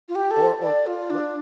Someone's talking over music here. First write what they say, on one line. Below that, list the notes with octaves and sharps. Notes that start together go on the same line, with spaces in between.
Or or, eh what
F4
G4
A4
D5
F4
D4